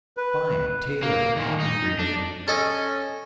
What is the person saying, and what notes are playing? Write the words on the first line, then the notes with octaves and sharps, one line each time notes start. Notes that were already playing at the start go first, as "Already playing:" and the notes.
"Fine, Taylor!" he greeted me.
B4
A#3
D#2 A#2
D#4
D4
C#4 A4 D#5